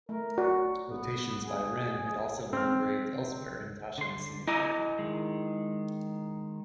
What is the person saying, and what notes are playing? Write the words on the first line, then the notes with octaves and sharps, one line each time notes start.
Quotations by Ren had also been engraved elsewhere in Tashan Scenic Area.
A3 A#4
F#4 D5
B3
G#4
C4 F6
D3 C6
E4 D#5 G#5 A#5 D6 F#6
D#3 G#3